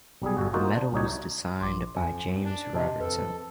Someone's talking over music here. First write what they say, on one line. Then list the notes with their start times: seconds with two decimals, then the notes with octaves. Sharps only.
The medal was designed by James Robertson.
0.22 B1 G3 G#4
0.37 G1 F#4 G#4 A4
0.53 A#3 D#4 F4 F#4 C5
0.76 D4
0.92 C2 F#3 D4 D#4 C#5
1.09 E5
1.61 A#1 C6 D6
1.97 F2 G#5
2.25 F#2
2.44 D4
2.75 C3 D#5 A5
3.00 F2 A4 B4